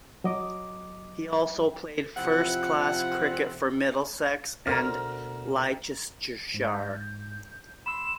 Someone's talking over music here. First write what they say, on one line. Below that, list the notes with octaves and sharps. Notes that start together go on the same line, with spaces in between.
He also played first class cricket for Middlesex and Leicestershire.
F#3 D#5 D6
C3 F3 C4 E4 F4 F#5
D2 B2 A#4 C5 A#5 F6
G#2
G6
B5 C6 E6 E7